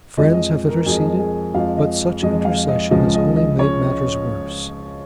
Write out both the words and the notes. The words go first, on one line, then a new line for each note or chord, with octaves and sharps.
Friends have interceded, but such intercession has only made matters worse.
F2 F3 G#3 D#5
D#5
A#4
F2 F3 G#3 G#4
G#4
F2 F3 G#3 F5
D#5
F2 F3 G#3 D#5
F5
D#5
C#2 C#3 F3 G#3 D#5
D#5
D#5
C#3 C#5